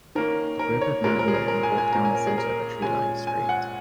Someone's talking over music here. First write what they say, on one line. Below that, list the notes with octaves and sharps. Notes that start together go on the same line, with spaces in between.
A group of men and women walk down the center of a treelined street.
D#3 A#3 C#4 A#4
A#4
C#5
A#2 G#3 C#4 A#4
A#4
G#4
A#4
A#4
G#5
G#5
A#2 A#3 C#4 A#5
G#5
A#4
G#4
A#4
A#2 G#3 C#4 G#5
G#5
F#5